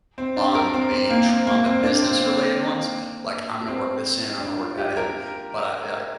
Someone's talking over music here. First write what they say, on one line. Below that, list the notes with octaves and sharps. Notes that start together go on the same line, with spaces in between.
on the tr on the business related ones, like, "I'm gonna work this in, I'm gonna work that in," but I eh,
C4
D4
A#4
C4
C4
A#3
C4
A#3
C4
D4
C4
C4
C4
D4
F4
G4
A#4